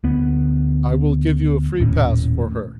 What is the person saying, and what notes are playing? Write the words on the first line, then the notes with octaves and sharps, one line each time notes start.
I will give you a free pass for her.
D2 B3
D#1 D#2 A2 C#4